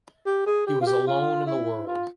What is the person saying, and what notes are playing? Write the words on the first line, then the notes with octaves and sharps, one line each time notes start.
He was alone in the world.
G4
G#4
G4
F4
G4
F4
E4
F4